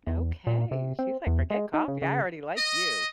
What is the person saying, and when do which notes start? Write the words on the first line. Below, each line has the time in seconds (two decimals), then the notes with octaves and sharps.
Okay. She's like, "Forget coffee. I already like you."
0.07 E2
0.47 A#2
0.71 C3
0.99 C4
1.27 E2
1.50 G#3
1.74 D#4
1.88 C#3
2.02 C#3
2.57 D#5